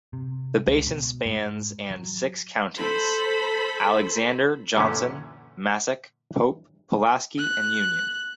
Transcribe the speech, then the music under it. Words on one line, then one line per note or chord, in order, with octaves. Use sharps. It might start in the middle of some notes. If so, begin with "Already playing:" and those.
The basin spans and six counties: Alexander, Johnson, Massac, Pope, Pulaski and Union.
C3
C#2
B2
G#2
F#3
A4 C5 B5
F#2 A#2 D3 E3 A3 C#4
F#6